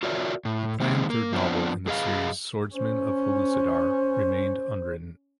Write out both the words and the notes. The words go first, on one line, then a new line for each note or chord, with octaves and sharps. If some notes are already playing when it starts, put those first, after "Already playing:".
A planned third novel in the series, "Swordsmen of Pellucidar", remained unwritten.
F4 F#4 A#4 C#5 D5 E5
A2
D#3 G#3 A#3 C4
A#3
F3 B3 C4 D4
F#2 G#4 D#5 F5
C#4 C5